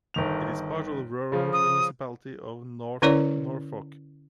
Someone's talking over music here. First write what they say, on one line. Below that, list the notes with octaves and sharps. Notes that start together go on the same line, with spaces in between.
It is part of the Rural Municipality of North Norfolk.
G1 D#3 F7
C#3 F3
D#6
D3 C#4 E4 A#4 C#5 D5